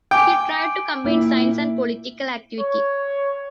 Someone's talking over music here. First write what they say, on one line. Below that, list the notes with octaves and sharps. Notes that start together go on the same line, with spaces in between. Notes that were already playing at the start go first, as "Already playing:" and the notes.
He tried to combine science and political activity.
G5 G#5 D6
A#2 E4
C#5